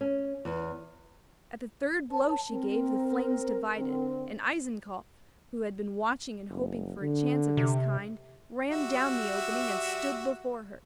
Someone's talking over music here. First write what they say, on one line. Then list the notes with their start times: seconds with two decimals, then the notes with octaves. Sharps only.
At the third blow she gave the flames divided, and Eisenkopf, who had been watching and hoping for a chance of this kind, ran down the opening and stood before her.
0.01 C#4
0.45 E2
2.11 B4 C#5 A5
2.51 C4 A#4
3.78 D3 C4
6.50 F#1
7.01 D3
7.57 C3
8.70 G3 F#4 E5